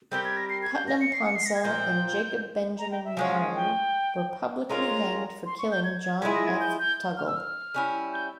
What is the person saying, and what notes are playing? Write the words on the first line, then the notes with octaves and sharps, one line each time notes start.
Putnam Ponsell and Jacob Benjamin Marin were publicly hanged for killing John F. Tuggle.
G3 C4 G4 A#4 G6
G#6
A#6
C7
G#6
G6
A#6
C#7
C7
C#7
C7
A#6
G#6
A#2 F3 C4 G6
A#5
G5
E5
F3 G#3 C#4 F5
G5
G#3 C#4 F4 A#4 A#5
C6
C#6
G6
G#6
G#6
F3 G#3 E4 G#4 G#6
A#6
G#6
G6
G6
F6
E6
F6
G3 C#4 E4
G6